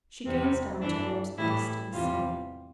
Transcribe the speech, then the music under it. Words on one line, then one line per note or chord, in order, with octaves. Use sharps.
She gazed out towards the distant sea.
E2 C3 G3 C4
G2 E3 A3 D4
A2 E3 G3 E4
E2 C3 E3 G3 F4